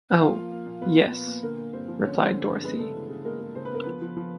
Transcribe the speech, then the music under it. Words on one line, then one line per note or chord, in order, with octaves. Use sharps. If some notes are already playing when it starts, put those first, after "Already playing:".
"Oh, yes;" replied Dorothy.
F3 F4 F5
A#3
A#3
A#2
A#2 B3 B4
A#2
A#2
A#2
D3 A#3 A#4
A#3
G2 C4 C5
F3
D3 C#4 C#5
F3 C4 C5
D3
G2
G#3 B3 B4
C#3 A3 A4
E3
C#3
G#3 A#3 A#4
G#3
C#3 C5
B4
B3 A#4
F3 B3 B4
F3
F3